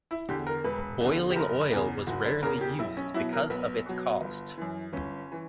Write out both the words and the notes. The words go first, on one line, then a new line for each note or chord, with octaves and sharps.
Boiling oil was rarely used because of its cost.
E4
E2 D3 G4
A#4
E1 B4
E2 D3
G4
F#1 A#4
E2 C#3
F#1 F#4
D4
E2 C#3 A#4
G4
B1 E4
C#4
B2 F#3 E4
A#4
B1 B3
B2 F#3
G1
F#2 E3
G1 C#4
E3